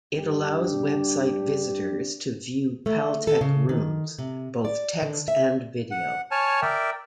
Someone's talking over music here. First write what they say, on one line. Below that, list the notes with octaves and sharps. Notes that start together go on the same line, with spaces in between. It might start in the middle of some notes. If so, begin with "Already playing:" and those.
It allows website visitors to view Paltalk rooms, both text and video.
G2 D4 G4
A3
A4
C#3
D#3
C3
D5
D3
E5
F#5
C#5 G#5 A5 F6
A#4 D5 E5 G5